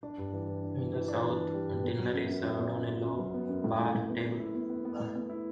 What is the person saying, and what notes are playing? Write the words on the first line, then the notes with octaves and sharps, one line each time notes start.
In the south, dinner is served on a low, bare table.
D4
G2
E3
E3
D4
E3
E3
D4
E3
E3
G3
G2
B3
F#3
F#2
F#2
F#2
B3
F#2
B3
F#2
F#3
B3
F#2
A2
A2
A2
B3
B3
E4
B3
B3
B3
A2
B3
E4